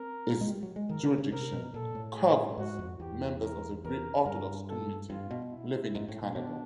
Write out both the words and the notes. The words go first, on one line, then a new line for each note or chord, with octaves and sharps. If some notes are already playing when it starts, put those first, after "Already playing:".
Its jurisdiction covers members of the Greek Orthodox community living in Canada.
Already playing: C4 A#4
G#3
G3
F#3
G#3
D#3 A#4
D3
C#3
C3 A#4
B2
A#2 A4
A2
G#4
G#2 F#4
F2
E2 G4
A#4
E2 A#4
G2 A#4
A4
G2 F4
B2
E4
G#2
A2
A#2
B2 D4